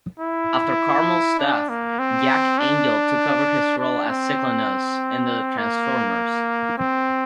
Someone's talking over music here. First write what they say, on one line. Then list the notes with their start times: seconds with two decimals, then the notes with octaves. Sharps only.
After Carmel's death, Jack Angel took over his role as Cyclonus in "The Transformers".
0.20 E4
1.39 D4
1.69 A#3
1.99 C4
2.59 D4
3.79 D4
4.09 C4
5.58 A#3
6.78 C4